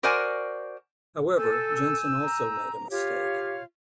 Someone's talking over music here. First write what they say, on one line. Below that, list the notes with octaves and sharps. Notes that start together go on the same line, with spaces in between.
However, Jensen also made a mistake.
F#4 A#4 C5 D5 F#5 G#5
A4 G#5 E6 G6
A#5
F4 G4 C#5 F5